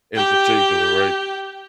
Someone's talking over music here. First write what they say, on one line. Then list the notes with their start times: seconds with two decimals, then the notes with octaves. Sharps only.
in particular, right?
0.16 G4 G5